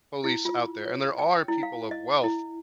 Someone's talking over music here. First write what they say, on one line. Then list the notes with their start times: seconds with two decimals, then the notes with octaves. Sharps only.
police out there, and there are people of wealth
0.24 E4
0.45 F4
0.85 C#5
1.19 G5
1.48 E4
1.63 F5
1.91 D#5
2.24 E4